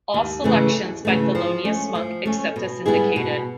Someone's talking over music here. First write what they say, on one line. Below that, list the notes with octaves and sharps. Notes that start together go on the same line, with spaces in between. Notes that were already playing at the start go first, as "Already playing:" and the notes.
All selections by Thelonious Monk except as indicated.
D#2
C#3 E3 A3
D#2
C#3 E3 A3
F3
A3 C#4
F3
A3 C#4
B2
G3 B3 E4 G#4
B2